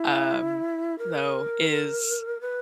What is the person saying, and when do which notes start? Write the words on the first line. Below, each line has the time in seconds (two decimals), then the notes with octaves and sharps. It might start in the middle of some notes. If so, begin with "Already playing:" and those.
um, though, is,
Already playing: E4
0.99 A#4
2.41 B4